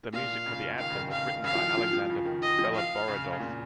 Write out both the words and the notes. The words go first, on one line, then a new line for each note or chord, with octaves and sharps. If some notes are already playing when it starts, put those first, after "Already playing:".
The music for the anthem was written by Alexander Beloborodov.
A#2 F5
C#3
D#3 F5
C#3
D#3
D#3 F5
D#3
C#3 F5
F3
D#3
F3
F3
C#3
D#3
D#3 D#5
F3
F5
C#3
C#3
A#2